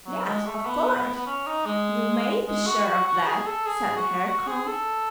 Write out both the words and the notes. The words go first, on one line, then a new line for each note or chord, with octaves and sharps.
"Yes, of course! you may be sure of that," said the hair-comb.
F#3
G#3
A3
B3
B3
B3
C#4
D#4
G#3
G#3
F#4
F#4
F#4
G#4
A4
G#4
F#4
F#4
G#4
A4